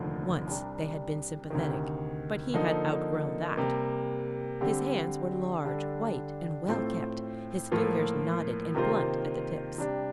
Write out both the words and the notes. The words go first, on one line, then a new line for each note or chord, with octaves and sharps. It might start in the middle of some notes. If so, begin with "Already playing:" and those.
Once they had been sympathetic, but he had outgrown that. His hands were large, white, and well-kept, his fingers knotted, and blunt at the tips.
Already playing: F1 D#2 D3 F3 A3
C2 C3 G3 D4
D2 C3 D#3
D3 F3 A#3 D#4 A4
C3 G3 A#3
D3 G3 C4 G4
D3 G3 D4 A4
A2 A3 C4 F4 C5
A2 F3 A#3 F4 A4
C3 D#3 A#3 F4 C5
C3 G3 D4 G4